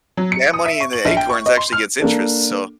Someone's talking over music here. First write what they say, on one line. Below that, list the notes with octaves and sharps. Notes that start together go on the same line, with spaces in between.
that money in the acorns actually gets interest, so
F#3
C#7
D#6
E5
C#6
F#7
A#1
G5
C#6
D#5
C6
F6
A#3 D4 A4